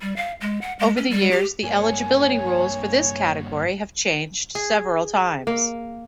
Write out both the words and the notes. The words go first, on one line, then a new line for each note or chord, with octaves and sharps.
Over the years, the eligibility rules for this category have changed several times.
G3
F5
G#3
F#5
G#3
C#4
G3
G4
G2 A#3 C#5 G#5
G#4
A#3